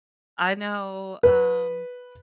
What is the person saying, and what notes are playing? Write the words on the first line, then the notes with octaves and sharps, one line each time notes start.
I know, um,
B4